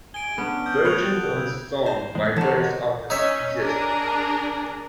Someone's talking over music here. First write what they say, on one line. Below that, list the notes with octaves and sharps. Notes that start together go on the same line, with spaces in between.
Versions of the song by various artists exist.
G#5 D7 G7
B3 C#4 D4
D#6 G6
A3 B4 C#5 F#6 F7
D3 G5
C#3 E4
C5
E2 A2 G#3
D3 E3 F#3 A5
A#4 B4 D#5
C#4 D#4 C#5 E5
D4 G#4 A#4